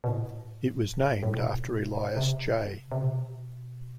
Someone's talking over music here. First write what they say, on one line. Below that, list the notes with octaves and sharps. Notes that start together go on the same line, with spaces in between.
It was named after Elias J.
B2
A2
A2
B2
C3
C3
B2